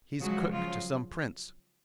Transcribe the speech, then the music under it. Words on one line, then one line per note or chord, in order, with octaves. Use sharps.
"He's cook to some prince."
C#3 F3 F#3 G#3 F#4
C#3 F3 F#3 F4